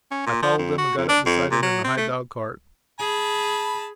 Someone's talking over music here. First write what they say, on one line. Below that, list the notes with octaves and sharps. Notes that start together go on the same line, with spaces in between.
I followed him and got up beside him in the high dog-cart.
C#4
A#2
F3
F2
F#4
F2
D4
F2
A#2
F#3
C4
A3
G#4 A5 B5